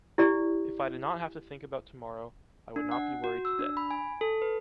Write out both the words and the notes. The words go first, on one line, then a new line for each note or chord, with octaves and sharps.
If I did not have to think about tomorrow, I would not be worried today.
E4 G4 D5
D4
F#5
F#4
E6
D4
B5
G#5
A4
B4